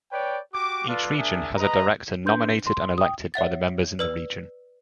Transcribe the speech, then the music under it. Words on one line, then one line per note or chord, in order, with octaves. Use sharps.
Each Region has a Director nominated and elected by the members in the Region.
B4 C#5 D5 G5
F#4 G4 D6
F4 A4 B4 D5 F5
D4 G#4 A#4 E5
G#3 B4 D#5 A#5
D4 B4 C6 G6
C6
G5 D#6
C#5 E5 F#5 A6
B4 D5 E6